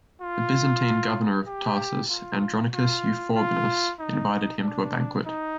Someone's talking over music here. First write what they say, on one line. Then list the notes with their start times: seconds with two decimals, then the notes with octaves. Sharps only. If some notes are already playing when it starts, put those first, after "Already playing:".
The Byzantine governor of Tarsus, Andronicus Euphorbenus, invited him to a banquet.
0.21 F4
1.47 G4
2.10 F4
2.73 F4
3.36 F4
3.99 D#4
4.62 D4
5.25 D#4